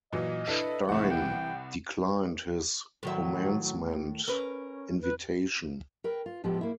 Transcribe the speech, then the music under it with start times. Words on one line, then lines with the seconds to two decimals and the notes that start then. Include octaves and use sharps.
Stein declined his commencement invitation.
0.13 A#2 E3 F#3 D#5
0.48 D4 E4 A4 B4
0.89 C2 E3 A3 F#5
1.11 G5
3.03 A2 D#3 F#3 E5
4.28 C#4 A#4 B4
5.01 B4
6.04 A#4 B4 G5
6.26 F4
6.44 A2 F3 G#3 B3 G4
6.61 A#3 E4